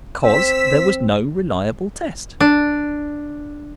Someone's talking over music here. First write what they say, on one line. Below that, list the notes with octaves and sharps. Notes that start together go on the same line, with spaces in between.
Because there was no reliable test.
C4 E6 B6
D4